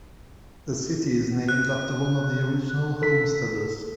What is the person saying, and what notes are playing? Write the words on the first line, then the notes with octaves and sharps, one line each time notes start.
The city is named after one of the original homesteaders.
F#6
A4 B6